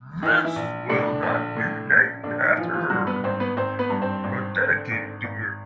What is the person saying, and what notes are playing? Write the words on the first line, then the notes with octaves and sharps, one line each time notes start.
This will not be named after her, but dedicated to her.
D#3 E3 D#4
E3 E4
A#1
A2 D3 D4
A#1
A2
A#1
A#1 D3 D4
D#3 D#4
E3 F3 F4
F3 F4
G2 F#3 F#4
B3 B4
G#1 C4 C5
B3 B4
G#1 C4 C5
B3 B4
G2
C4 C5
G#1
D3
G#1
G#1